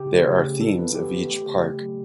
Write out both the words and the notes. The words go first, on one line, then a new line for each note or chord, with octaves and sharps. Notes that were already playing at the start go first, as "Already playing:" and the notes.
There are themes of each park.
Already playing: C#3 G4
A3
C#3
C#3
E3 A4
B3 B4
B3 G4
B3
A3 G4
C#3
A3
F#3